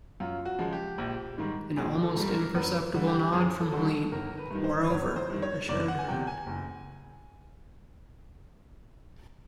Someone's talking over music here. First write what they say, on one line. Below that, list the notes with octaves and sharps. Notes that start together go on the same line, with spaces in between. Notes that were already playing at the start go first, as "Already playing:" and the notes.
An almost imperceptible nod from Helene, moreover, assured her.
F#2 F4
F#4
C#3 F3 G#3
G4
A#1
G#2 D#3 G3
A#1 G#4
A4
G#2 D#3 G3
A#4
F#2 B4
D3 G3
G4
F#2 G#4
A4
D3 G3
A4
G1 A#4
B4
G2 D#3
C5
G1 C#5
C5
G2 D#3
C#5
F#1 D5
F#5
G#5
E2 C3 G5
G#5
F#1